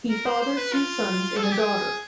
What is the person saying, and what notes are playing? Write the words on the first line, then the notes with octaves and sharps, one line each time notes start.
He fathered two sons and a daughter.
A#4
C5
C5
B4
F4
A4
G#4
G4
G#4